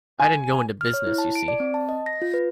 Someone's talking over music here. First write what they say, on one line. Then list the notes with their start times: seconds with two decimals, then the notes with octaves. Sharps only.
I didn't go into business, you see.
0.20 G#5
0.81 F6
0.94 C#5
1.07 E4
1.18 A5
1.35 D7
1.48 D5
1.60 C4
1.74 A5
1.89 D#5
2.06 A#6
2.22 F4
2.34 B4